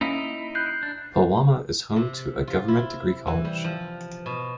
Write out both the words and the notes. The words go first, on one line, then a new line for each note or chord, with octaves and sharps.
Pulwama is home to a Government Degree College.
A#3 C#4 D#4 E4
F#6 G6 C7
D4
C3
F4
E4
E3
G3
F3
B2